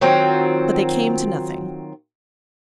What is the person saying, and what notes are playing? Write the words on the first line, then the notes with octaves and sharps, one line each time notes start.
But they came to nothing.
D#3 F#3 C4 F4